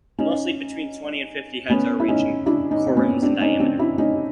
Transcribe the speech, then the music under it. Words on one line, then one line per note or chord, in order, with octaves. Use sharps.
Mostly between twenty and fifty heads are arranged in corymbs in diameter.
C#4 D#4
B3 C#4
E4
C#4 D#4
D4 E4
C#4 D#4
C4
B3 C#4
C4 D4
C#4 D#4
C4 D4
D4 E4
C#4 D#4